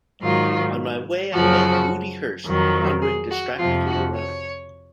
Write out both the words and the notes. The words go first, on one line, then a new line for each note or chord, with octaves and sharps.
On my way I met Moody Hurst wandering distractedly around.
G#2 D#3 F#3 F4
F#2 C#3 F3 F#4
F2 D#3 F#3
G#4
F#4
F2 C3 F3 F4
F#4
C#5